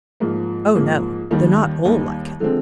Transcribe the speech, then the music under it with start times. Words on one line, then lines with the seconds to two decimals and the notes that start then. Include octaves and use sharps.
"Oh no; they're not all like him."
0.20 G#2 F3 A#3
0.75 G#2 F3 A#3
1.31 D#2 D#3 G3
1.85 D#2 D#3 G3
2.40 D3 F3 G#3 C4